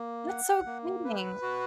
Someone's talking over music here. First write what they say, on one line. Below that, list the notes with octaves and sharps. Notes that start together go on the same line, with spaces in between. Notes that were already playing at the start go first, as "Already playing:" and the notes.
That's so exciting. I
Already playing: A#3
F#5
A#3
B4
F#4